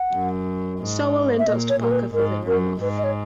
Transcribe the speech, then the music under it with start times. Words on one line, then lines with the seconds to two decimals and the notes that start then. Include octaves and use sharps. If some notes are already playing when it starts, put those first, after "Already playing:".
Sowell endorsed Parker for the run off.
Already playing: F#5
0.13 F#2
0.79 G#2
1.39 E5
1.47 A#2 D#5
1.69 C#5
1.80 A#2 A#4
1.91 B4
2.14 G#2 A#4
2.47 F#2 A#4
2.81 G#2 B4
2.98 D#5
3.04 C#5